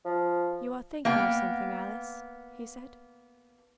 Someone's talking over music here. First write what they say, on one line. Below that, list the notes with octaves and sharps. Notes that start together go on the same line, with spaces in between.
"You are thinking of something, Alice," he said.
F3
A#3 B3 G5